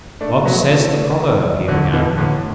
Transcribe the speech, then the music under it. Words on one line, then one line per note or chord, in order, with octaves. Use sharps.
"What says the proverb?" he began.
A3 D4
F#3 B3
E3 A3
D3 F#3
D3
B2 E3
A2 D3